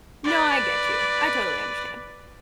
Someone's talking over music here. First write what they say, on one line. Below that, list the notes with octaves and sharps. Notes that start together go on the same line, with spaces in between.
no, I get you, I totally understand.
B4 D5